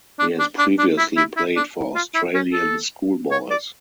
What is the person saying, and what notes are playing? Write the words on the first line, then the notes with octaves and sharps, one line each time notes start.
He has previously played for Australian Schoolboys.
D4
D4
D4
D4
E4
E4
E4
D4
F4
E4
C#4
A4
C#5
D5